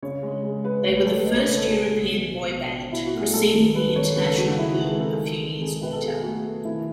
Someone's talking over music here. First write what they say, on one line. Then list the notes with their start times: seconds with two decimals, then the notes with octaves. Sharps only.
They were the first European boyband preceding the international boom a few years later.
0.02 C#3 C#5
0.23 G#3
0.44 G#3
0.64 G#3 B4
0.85 A3 C#5
0.96 B4
1.06 A3 A4
1.16 B4
1.26 A3 D#5
1.37 C#5
1.47 C#3 B4
1.57 A4
1.67 B2 G#4
1.89 B2
2.10 B2
2.30 B2
2.51 B2
2.72 B2
2.92 B2 E4
3.06 F#4
3.14 A3
3.20 G#4
3.33 G#3 A4
3.54 D#3
3.75 G#3 B4
3.96 D#3 C#5
4.17 C#3 B4
4.26 A4
4.37 C#3 F#4
4.48 D#4
4.58 G#3 E4
4.72 F#4
4.79 G#3
4.86 G#4
4.99 D#3 A4
5.21 D#3
5.41 G#3
5.62 D#3 G#4
5.82 B2 B4
5.93 A4
6.03 B2 G#4
6.13 G#4
6.23 A3 F#4
6.45 A3
6.65 D#3 E4